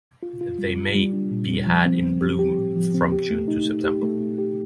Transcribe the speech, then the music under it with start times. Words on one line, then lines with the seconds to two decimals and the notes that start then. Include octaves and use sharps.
They may be had in bloom from June to September.
0.23 F4
0.41 F4
0.58 G3
0.76 G3
0.95 G3
1.13 D4
1.31 A#2
1.49 G3
1.67 F3
1.86 C4
2.03 C4
2.21 G4
2.39 G4
2.57 A2
2.76 F3
2.94 C4
3.12 G4
3.30 A3
3.48 D#4
3.66 A3
3.84 G4
4.03 A3
4.21 A3
4.38 G4